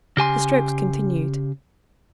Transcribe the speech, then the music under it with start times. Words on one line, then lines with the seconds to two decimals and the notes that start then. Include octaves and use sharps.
The strokes continued.
0.17 C#3 G4 G#5 C6